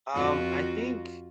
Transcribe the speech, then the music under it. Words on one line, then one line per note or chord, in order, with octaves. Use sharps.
Um, I think
F2 F4 F#4